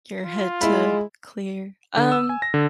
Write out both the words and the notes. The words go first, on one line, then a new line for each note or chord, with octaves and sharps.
your head to clear. Um
F4
G#3 E4 B5
D3
E6
G#5
A#6
D3